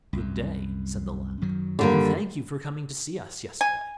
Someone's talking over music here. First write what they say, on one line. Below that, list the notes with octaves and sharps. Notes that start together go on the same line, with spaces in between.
'Good day!' said the lad, 'and thank you for coming to see us yesterday.'
C2 F#2
F#2 D#3 F#3
D3 G3 A#3
G#5